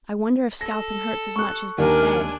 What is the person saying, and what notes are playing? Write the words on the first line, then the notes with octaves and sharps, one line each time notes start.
I wonder if scalping hurts as much as they say.'
A4 A#6
C#6 F#6
D#2 D4 A#4 G#5